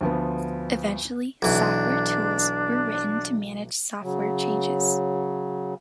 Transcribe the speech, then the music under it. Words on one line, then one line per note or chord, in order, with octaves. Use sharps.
Eventually, software tools were written to manage software changes.
D2 F3 B3
B1 E3 D4
C#3 F#3